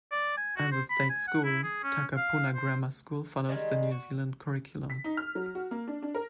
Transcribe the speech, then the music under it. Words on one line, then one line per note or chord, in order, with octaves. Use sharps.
As a state school, Takapuna Grammar School follows The New Zealand Curriculum.
D5
G#5
F#4
C5
B5
G#5
F#5
E4
G#4
C#4
F5
C5
D#3 E3 G3 G#3
F#4
B6
D#4
F6
F#3
F#4
A#3
D4
D4
A#4